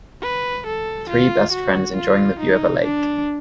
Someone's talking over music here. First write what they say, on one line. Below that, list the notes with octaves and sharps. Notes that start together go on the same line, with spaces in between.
Three best friends enjoying the view of a lake.
B4
A4
F4
F#4
F4
D#4
D4